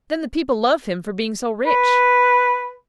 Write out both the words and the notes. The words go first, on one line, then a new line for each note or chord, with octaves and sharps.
Then the people love him for being so rich.
B4